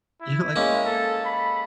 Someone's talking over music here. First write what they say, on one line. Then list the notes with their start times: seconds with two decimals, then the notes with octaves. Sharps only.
You're like
0.21 E4
0.56 G#3 A#3 C#4
0.85 A4
1.25 B5